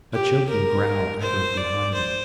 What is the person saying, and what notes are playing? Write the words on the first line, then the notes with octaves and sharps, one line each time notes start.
A choking growl echoed behind him.
G4
A#4
C5
D5
C5